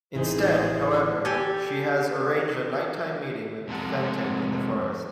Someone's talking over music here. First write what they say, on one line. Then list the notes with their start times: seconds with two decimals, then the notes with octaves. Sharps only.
Instead, however, she has arranged a nighttime meeting with Fenton in the forest.
0.15 A1 D#3 E3 D#4 G#4 C5
1.25 G4 A4 G#5
3.68 F2 C3 G#3 A4 A#4 F#5